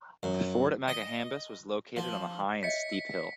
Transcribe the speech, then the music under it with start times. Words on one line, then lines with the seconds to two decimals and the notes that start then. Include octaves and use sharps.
The fort at Makahambus was located on a high and steep hill.
0.23 F#2
0.88 D#5
1.97 F3
2.63 C#5 D#5 E5 B6 C#7